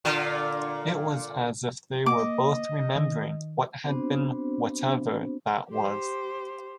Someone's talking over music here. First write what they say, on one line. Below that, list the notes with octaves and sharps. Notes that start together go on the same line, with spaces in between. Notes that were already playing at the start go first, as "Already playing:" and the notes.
It was as if they were both remembering what had been-whatever that was.
A#2 D3 F4
A#3 D#5 D6
D#3
B3 C4 D4 F#4 C5
G4 C5